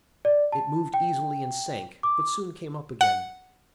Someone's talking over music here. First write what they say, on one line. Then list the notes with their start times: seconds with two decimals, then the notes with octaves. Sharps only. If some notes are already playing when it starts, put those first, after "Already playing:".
It moved easily and sank, but soon came up again.
0.25 D5
0.52 A5
0.94 G5
2.03 D6
3.01 F#5